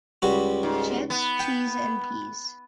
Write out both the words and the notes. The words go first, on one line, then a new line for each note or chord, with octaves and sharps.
Chips, cheese and peas.
C#2 G3 F#4
G#2
B3
G5